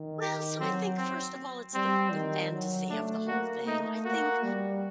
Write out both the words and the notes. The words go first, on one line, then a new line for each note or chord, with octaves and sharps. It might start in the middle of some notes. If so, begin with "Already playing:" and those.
Well, so I think, first of all, it's the the fantasy of the whole thing. I think,
Already playing: D#3
G4
F#3 C4
C4
G3 C4
D#3
F#3
A3 D4
A#3 F#4
A3 D#4
A#3 F#4
G3